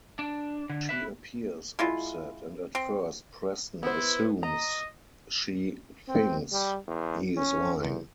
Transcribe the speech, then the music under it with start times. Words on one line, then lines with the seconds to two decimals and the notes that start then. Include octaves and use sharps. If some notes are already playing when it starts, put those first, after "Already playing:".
She appears upset and at first Preston assumes she thinks he is lying.
0.19 D4
0.70 D3
0.89 B4 E5
1.79 G#3 E4 F4
2.75 C4
3.83 B3 E4 C5
4.43 D#5 A#5
6.08 C4
6.53 G3
6.87 E2
7.37 C#4
7.79 E2